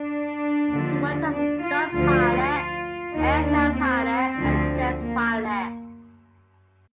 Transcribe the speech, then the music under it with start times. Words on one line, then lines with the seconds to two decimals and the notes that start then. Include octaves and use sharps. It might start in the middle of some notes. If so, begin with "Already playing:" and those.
He worked as a stunt pilot, airshow pilot, and test pilot.
Already playing: D4
0.70 D#2 D3 F3
1.32 D4
1.63 F4
1.92 D2 D3 F3 F4
3.14 D#2 D#3 D#4
3.46 D4
3.76 C4
4.37 D2 D3 F3
4.99 A#3